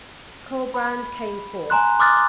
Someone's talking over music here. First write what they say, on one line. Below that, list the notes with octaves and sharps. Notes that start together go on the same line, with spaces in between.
Colbrand came forth.
B5
G#5 A#5 C6 F#6
C6 D6 D#6 F6 F#6 A6